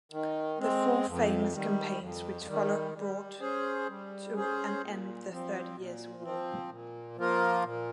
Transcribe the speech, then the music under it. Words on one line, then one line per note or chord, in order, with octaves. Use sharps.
The four famous campaigns which followed brought to an end the Thirty Years' War.
D#3
G#3 C4
F2
D#3 G3
F2
D#3 G3
G3
C#4 G#4 C5
G3
C#4 G#4 C5
A#2
F3 C4
A#2
F3 C4
A#2
F3 A#3 F4 A#4
A#2